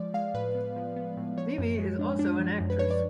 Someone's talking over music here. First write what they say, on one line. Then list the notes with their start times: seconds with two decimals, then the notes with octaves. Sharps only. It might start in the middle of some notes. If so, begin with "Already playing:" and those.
Mimi is also an actress.
Already playing: F3 G#3 D5
0.14 G#3 F5
0.34 A2 B4
0.55 B3
0.76 F3
0.96 B3
1.17 A2
1.37 F3 C#5
1.58 F#2
1.78 G#3
1.99 D4
2.19 D4
2.40 F3
2.61 F#2
2.70 B4
2.79 D4 C#5
2.91 D5